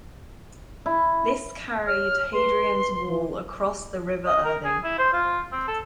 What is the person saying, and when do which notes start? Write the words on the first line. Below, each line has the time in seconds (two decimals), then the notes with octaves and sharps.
This carried Hadrian's Wall across the River Irthing.
0.86 E4
1.87 C#5 F6
2.33 B4 C6
3.05 E3
4.26 D#5
4.45 A#4
4.64 G#4
4.84 E4
4.98 C5
5.13 F4
5.52 C4
5.68 A4